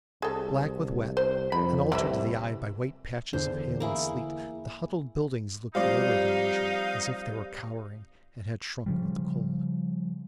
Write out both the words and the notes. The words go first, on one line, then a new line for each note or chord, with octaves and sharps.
Black with wet, and altered to the eye by white patches of hail and sleet, the huddled buildings looked lower than usual, as if they were cowering, and had shrunk with the cold.
C2 G#4 A4
C5
F2 B5
C2 E3 E5
E2 D3 C5
A#3 E4 G#4
F3 G3 C4 D#4 G4 C5 D5 F5
C#3 F3 G3